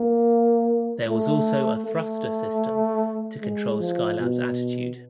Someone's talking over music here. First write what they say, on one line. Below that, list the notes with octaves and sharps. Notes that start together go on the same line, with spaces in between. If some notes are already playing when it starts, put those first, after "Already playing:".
There was also a thruster system to control Skylab's attitude.
Already playing: A#3
A3
A3
G#3
F3
B2